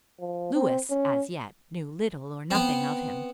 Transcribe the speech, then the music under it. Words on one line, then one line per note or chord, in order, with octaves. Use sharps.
Louis as yet knew little or nothing of him.
F3
C4
C#4
B3 C4